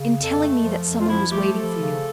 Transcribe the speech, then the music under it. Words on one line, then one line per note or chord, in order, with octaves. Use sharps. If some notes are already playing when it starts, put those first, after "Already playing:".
"In telling me that some one was waiting for you."
Already playing: C#3
F2
A4
A3
A4
F3
F2
F4
F3 E4
A3 G4
F3 A4
C#3